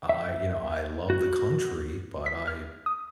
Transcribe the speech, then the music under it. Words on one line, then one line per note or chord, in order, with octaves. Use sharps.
I you know, I love the country, but I
E5
F#4
B6
F6
D#6